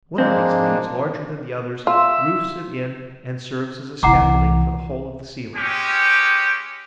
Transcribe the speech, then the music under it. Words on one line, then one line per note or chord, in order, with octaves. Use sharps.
One of these leaves, larger than the others, roofs it in and serves as a scaffolding for the whole of the ceiling.
F2 G#3 A#3 C4 D4
F4 E5
C2 E3 F#5 A#5 D6
G#3 C#4 G4